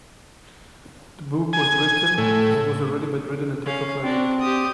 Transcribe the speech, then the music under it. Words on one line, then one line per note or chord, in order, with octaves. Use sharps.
The book was written as he was already bedridden and tetraplegic.
G#5
A2
C#4 F5
C4 D4 F#4
G4 D#6